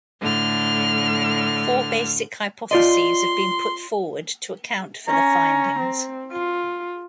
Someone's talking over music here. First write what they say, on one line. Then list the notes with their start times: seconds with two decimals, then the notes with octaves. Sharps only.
Four basic hypotheses have been put forward to account for the findings.
0.20 A2 D3 F6
2.71 F4 D5 D#5 C6
5.07 C#4 A#5
5.79 C4
6.32 F4